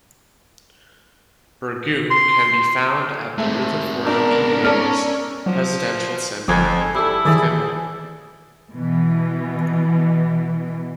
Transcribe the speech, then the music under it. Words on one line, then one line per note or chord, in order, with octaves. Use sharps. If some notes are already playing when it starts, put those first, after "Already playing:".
Burgoon can be found at the Rutherford B. Hayes Presidential Center in Fremont.
C6
G#3 A3 C4
B3 D4 A#4
C#4 A4 D5 F6
F3 F#3
G1 F2 F3 G#5 D6 D#6
G3 E4 A4
D#3 E3 G#4 D5 E5
B2 E3